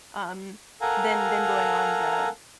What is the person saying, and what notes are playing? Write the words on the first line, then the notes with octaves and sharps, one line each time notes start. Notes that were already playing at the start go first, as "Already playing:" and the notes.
um, than than going on the
A4 A#4 F5 F#5 G#5 A#5